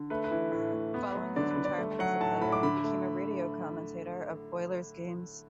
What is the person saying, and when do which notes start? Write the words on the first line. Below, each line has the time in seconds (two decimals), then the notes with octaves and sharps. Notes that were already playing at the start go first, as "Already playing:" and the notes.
Following his retirement as a player, he became a radio commentator of Oilers' games.
Already playing: D3
0.10 A3 B4
0.24 B4
0.31 E3
0.52 A2
0.73 A2
0.94 B3
1.15 F#3
1.36 D3 D5
1.51 B4
1.58 D3
1.65 D5
1.78 A3
1.99 F#3 F#5
2.20 A2 A5
2.41 A2 B5
2.52 D6
2.63 D3 B5
2.84 A3